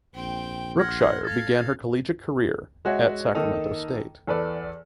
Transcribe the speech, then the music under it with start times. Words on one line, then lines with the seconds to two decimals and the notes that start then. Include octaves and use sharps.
Brookshire began her collegiate career at Sacramento State.
0.15 A#1 C4 G5
0.80 F#5 C6 F6 G#6 A#6
1.25 A4 F5 G#6 A6
2.85 G#3 F#4 C#5 E5
3.35 D#3 A#3 D#4 A4
4.27 E2 A4 B4 D5